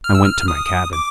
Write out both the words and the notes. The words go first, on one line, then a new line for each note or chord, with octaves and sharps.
I went to my cabin.
F6
E6
F6
D#6
D6